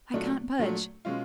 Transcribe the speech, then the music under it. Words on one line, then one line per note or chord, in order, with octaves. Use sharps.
"I can't budge."
A#2 F#3 A3 D4
A#2 F#3 A3 D4
B2 G#3 C#4 F4